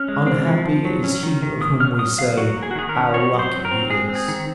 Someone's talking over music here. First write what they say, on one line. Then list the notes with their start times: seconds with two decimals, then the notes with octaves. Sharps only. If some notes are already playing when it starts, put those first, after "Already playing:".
Unhappy is he of whom we say, how lucky he is!
Already playing: C#4 F6
0.08 G#3
0.27 C4
0.47 F3
0.65 F3
0.85 F#3
1.04 C#4
1.23 D#3
1.42 D#3
1.61 A#3 D#6
1.80 C#4 F6
1.99 F#3 D#6
2.18 F#3 F5
2.37 F#3 F#4
2.57 A#3
2.63 G#4
2.71 F#4
2.76 D#3 G#4
2.89 A#4
2.95 C#4
3.14 C4 C#5
3.33 F#3
3.39 C5
3.52 F#3
3.65 A#4
3.71 C4
3.90 G#3 G#4
4.09 C4
4.15 G#4
4.28 D#3